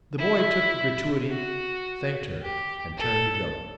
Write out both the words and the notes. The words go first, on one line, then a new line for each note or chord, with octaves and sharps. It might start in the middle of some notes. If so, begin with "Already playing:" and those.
The boy took the gratuity, thanked her, and turned to go.
E4
F#4
G4
A4